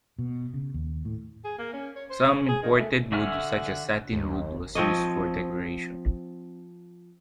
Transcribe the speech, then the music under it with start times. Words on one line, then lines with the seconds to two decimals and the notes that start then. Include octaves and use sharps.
Some imported wood such as satinwood was used for decoration.
0.19 B2
0.54 C#3
0.74 D#2
1.05 A2
1.44 G#4
1.58 A#3
1.73 C#4
1.95 C#5
2.10 C5
2.24 C#4
2.36 C#4
2.48 G#4
2.63 D#3
2.76 A3
3.12 D3 F#4 E5 G#5 F6
4.13 D#2
4.75 F3 C4 C#5 D#5